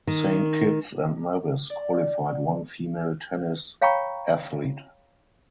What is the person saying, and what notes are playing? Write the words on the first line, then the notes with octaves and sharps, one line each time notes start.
Saint Kitts and Nevis qualified one female tennis athlete.
D#3
D5
C#5 F5 G5 A#5 B5 C#6